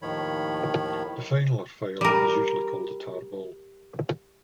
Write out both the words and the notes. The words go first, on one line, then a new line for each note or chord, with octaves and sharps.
The final or file is usually called a tarball.
D#2 A2 D#3 F3 C#5 B5
G3 A#4